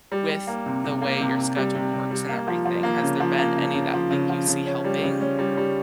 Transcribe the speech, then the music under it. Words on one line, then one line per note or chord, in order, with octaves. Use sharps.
with the way your schedule works and everything? Has there been any that, like, you see helping?
G3
G3
A#3
C3
C3
A#3
C3
C3
G3
C3
C3
G3
A#3
F3
F3
A#3
C#3
F3
A#3
C#3
C#3
F3
C#3
F3
C#3
C#4
G3
C#3
C#4
G3
G3